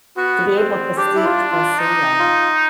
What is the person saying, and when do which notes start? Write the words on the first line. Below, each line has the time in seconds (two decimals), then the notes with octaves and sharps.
to be able to sti still see that.
0.17 B3 F#4
0.57 C4
0.98 D4 G4
1.16 E4
1.25 F4
1.51 F4
1.79 D#4
2.19 F4